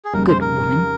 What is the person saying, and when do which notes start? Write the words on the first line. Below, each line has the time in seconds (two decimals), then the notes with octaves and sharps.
Good woman!
0.05 G#4
0.13 F2 C#3 G3 A#3 D#4 A#4
0.28 C5
0.41 A#4